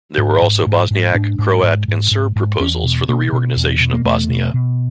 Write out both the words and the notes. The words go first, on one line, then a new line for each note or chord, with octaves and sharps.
There were also Bosniak, Croat and Serb proposals for the reorganisation of Bosnia.
G#2
G#2
G#2
G#2
G#2 D4
G#2
G#2
G#2
G#2
G#2
E2 C#4
B2
B2 A#3
B2
E2
B2
A#3
E2 A3
B2
B2